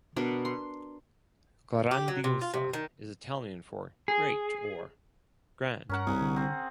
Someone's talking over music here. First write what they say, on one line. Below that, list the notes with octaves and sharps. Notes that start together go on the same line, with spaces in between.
"Grandiosa" is Italian for "great" or "grand".
B2 D4 A#4
C6
G4
F#3
C3
F4
C3
D#3
G#4
G2 C#4 A#4 F#5
C2 G#4
D3
C4